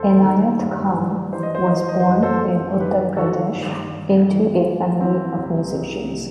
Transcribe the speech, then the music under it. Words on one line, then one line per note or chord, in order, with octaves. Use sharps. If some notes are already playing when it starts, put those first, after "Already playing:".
Enayat Khan was born in Uttar Pradesh into a family of musicians.
Already playing: E2 A4 C5
D#3
G2
G2
E3 C5
D#5
C5
E3 D#5
C5
D#5
C5
F#2
D#5
A4 C5
F#2
D#3 G4 B4
D#3 F#4 A4
G2
G2
E3
E3
E3 C4 E4
C2
C2
C3